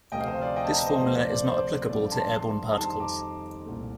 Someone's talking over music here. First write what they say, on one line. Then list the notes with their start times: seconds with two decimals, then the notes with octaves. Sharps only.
This formula is not applicable to airborne particles.
0.12 D2 C3 F3 A3 D#5 G5
0.21 F5
0.27 C5 D#5
0.41 D5 F5
0.56 D#5 G5
0.64 A5
0.71 G5 A#5
0.86 C5 D#5
1.01 D2 C3 F3 A3 C5
1.15 D5
1.30 D5
1.46 C5
1.60 D5
1.89 G2 D3 F3 A3 D5
2.11 A5 C6
2.34 A5 C6
2.77 F2 D#3 G3 A5 C6
3.00 A#5 D6
3.66 C2 A#2 A3